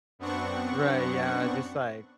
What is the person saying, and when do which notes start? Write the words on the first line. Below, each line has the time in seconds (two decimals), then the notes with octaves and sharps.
Right, yeah, just like
0.19 F#2 B3 C4 D4 F#5 C#6